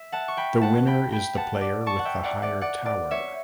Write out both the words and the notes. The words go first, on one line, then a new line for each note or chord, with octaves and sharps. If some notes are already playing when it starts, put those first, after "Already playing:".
The winner is the player with the higher tower.
Already playing: E5
F#5 A5
C#6
G5 B5
F#5 A5
G5 B5
G5 B5
F#5 A5
D5
A5 C#6
F#5
E5 G5
D5 F#5
D5 F#5
D5 F#5
D5
C#5 E5